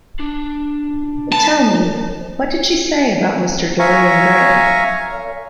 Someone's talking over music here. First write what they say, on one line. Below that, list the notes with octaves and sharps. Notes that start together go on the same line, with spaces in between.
But tell me, what did she say about Mr. Dorian Gray?
D4
B3 A5 B5
E5 F5 G#5 A#5 C#6